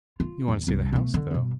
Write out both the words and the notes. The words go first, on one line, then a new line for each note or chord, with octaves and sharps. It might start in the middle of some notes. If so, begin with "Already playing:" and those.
"You want to see the house, though?"
F4
D#1 E2
C2 D4
B2 A3
D3
G2 B2